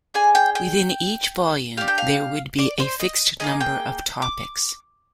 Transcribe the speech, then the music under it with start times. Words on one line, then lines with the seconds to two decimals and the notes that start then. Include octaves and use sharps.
Within each volume there would be a fixed number of topics.
0.14 D4 G#4 G#5
0.35 G5
0.55 G5
1.77 D4 G4 F5
1.88 G5
1.98 F5
2.59 D5
2.80 C5
3.00 D#5
3.40 A#3 D#4 G#4 D#5
3.61 G5
4.22 D6